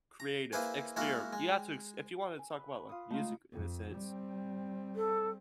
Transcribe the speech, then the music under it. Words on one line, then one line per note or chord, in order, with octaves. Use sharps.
creative, experi You have to ex if you wanna talk about, like, music in a sense,
A#5
A#3 E4 G#4 B4 C5 G#5
G#3 A#3 E4 F#4 A#4
G#3
G#5
B4
F4 D#6
G#3 A3 D#4 F4
F2
G3 C4
A4